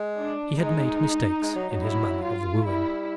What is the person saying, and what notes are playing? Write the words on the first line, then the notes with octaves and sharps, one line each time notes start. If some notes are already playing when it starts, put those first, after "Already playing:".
He had made mistakes in his manner of wooing.
Already playing: G#3
D4
G#3 D#4
G#3
F#3
F#3
E4
F4
G3 E4